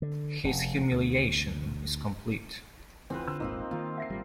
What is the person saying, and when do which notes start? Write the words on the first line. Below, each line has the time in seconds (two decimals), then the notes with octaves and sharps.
His humiliation is complete.
0.02 D3
0.44 F1
0.92 D2
3.10 E2 C4 F4 B4
3.28 D3 E6
3.40 D#1 G#1 G#2 A#3 C4 D#4 F4
3.71 D#3 A#3 F4
3.98 E5 A#6 C7
4.10 G#1 A#2 G3